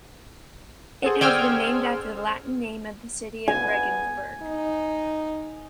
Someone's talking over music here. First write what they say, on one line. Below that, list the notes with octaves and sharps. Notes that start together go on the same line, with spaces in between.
It has been named after the Latin name of the city of Regensburg.
G#4 A4 C5 F#5
C#4 D5 G5 G#5 E6 F6
B3 G#5
D#4